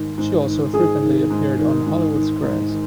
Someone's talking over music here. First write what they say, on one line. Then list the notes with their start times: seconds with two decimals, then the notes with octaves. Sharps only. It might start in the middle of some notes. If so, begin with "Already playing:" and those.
She also frequently appeared on "Hollywood Squares".
Already playing: G#2 D#3
0.18 G#2
0.46 D#3
0.74 G#2 G#4
1.02 D#3
1.30 G#2
1.58 D#3
1.86 G#2
2.14 D#3
2.43 G#2
2.70 D#3